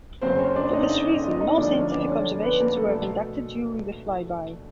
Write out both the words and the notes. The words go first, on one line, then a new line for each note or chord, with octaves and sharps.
For this reason, no scientific observations were conducted during the flyby.
F#1 E2 C#3 C4 C5
C#4 C#5
D4 D5
D#4 D#5
D#5
D#5
D#5
D#4 D#5
D2 D3 F3 D4 D5
C#4 C#5
D4 D5
C#4 C#5
B3 B4
A#3 A#4
A3 A4
B2